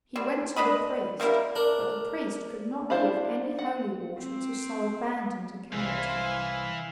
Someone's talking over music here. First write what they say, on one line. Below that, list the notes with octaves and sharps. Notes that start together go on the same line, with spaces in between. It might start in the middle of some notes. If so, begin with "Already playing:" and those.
He went to the priest, but the priest could not give any holy water to so abandoned a character.
G3 C4
D4 B4 D#5 B5
G3 A#3 E4 A#4
D4 A#4
D4 E4 C5 F5 B5
F#5
C4
C2 E3 C5 F5 G#5